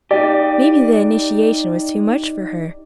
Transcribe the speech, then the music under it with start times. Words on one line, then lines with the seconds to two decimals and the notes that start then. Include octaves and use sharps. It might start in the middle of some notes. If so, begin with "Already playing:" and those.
"Maybe the initiation was too much for her."
0.11 D#4 G4 D5